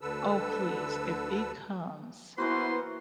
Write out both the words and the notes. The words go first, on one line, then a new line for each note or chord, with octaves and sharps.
Oh please if it comes
D2 D3 A4 B4 E6
E3 A#3 B3 E4 F#4 B4 C5 C6